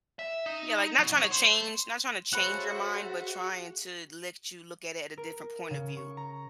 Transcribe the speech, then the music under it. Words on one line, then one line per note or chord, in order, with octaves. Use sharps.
Yeah, like, not trying to change not trying to change your mind, but trying to let you look at it at a different point of view.
E5
D#4
B2 F#3
D3 C#5
C5
C#3 F#4 A4 C5 E5 B5 F#6
A#4
C#3
C#6
A#5